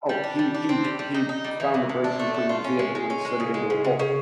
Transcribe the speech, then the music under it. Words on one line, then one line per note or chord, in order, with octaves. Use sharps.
Oh, he he he found the breaking point of the vehicle when he slid it into a pole.
G3
D4
G3
D4
C4
G3
G3
D#4
D#4
G3
E3
C3
C3
D4
A3
D4
F4
C#4
G#3
G#3
C#4
G#3
C#3
G#3
C#3
C#3
C#3